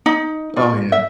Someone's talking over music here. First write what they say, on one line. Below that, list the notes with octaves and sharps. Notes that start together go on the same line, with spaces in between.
Oh, yeah.
D#4
F4
E5